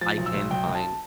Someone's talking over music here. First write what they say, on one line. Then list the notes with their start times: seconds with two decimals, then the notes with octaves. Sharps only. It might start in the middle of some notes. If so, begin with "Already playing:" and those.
I can find
0.01 F3 A6
0.17 B1
0.26 E6
0.34 B1
0.50 B1 G5
0.67 B1
0.75 A5